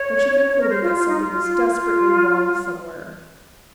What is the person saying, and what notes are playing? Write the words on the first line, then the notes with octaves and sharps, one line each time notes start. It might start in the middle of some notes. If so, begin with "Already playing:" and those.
Then she concluded that something was desperately wrong somewhere.
Already playing: C#5
A#4
C5
F4
F4
D#4
F4
F4